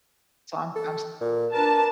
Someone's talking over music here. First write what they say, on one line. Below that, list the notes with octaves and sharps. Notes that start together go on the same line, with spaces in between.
So, I'm I'm s
A4
A#2
D4 A#4 B4 A5